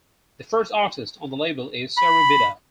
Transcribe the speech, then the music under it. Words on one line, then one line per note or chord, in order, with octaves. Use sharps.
The first artist on the label is Seri Vida.
B5